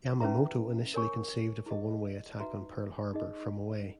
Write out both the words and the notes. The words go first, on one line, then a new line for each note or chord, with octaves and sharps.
Yamamoto initially conceived of a one-way attack on Pearl Harbor from away.
C#4 E4 B4 E5 A#5
A#4 C#5 G#5 C#6
E4 G#4 D#5
D#4 F#4 B4 E5 A#5
D#4 G#4 D#5